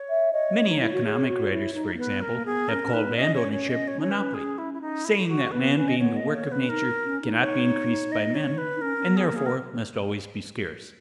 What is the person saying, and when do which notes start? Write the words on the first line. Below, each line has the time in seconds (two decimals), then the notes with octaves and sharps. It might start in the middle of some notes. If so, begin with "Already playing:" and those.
Many economic writers, for example, have called landownership monopoly, saying that land being the work of nature cannot be increased by men, and therefore must always be scarce.
Already playing: C#5
0.09 E5
0.33 C#5 D#5
0.69 D#4
0.80 E4
0.93 F#4
1.04 G#4
1.28 F#4
1.52 E4
1.75 D#4
1.94 A#3
1.98 B3 B4
2.22 A#4
2.33 A#3
2.45 B3 G#4
2.69 C#4 A#4
2.83 C#4
2.92 D#4 B4
3.06 B3
3.16 C#4 D#5
3.35 C#5
3.52 C#5
3.69 D#5
3.88 C#5
4.01 C#5
4.11 B4
4.34 G#4
4.58 E4
4.74 E4
4.81 D#4
5.05 E4
5.28 F#4
5.51 B3 B4
5.76 C#4 B4
5.88 D#5
5.99 B3 C#5
6.16 D#5
6.22 A#3
6.34 C#5
6.46 B3
6.52 B4
6.63 C#4
6.69 D#4 A#4
7.05 C#4
7.22 D#4
7.41 C#5
8.12 D#5
8.35 C#5
8.58 B4
8.76 D#4
8.81 C#4 A#4
8.98 C#4
9.06 B3
9.17 G#4
9.28 A#3 A#4
9.36 G#4
9.46 A#4